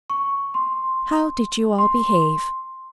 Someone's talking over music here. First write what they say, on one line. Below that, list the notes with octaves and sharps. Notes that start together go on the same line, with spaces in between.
How did you all behave?
C#6
C6
C6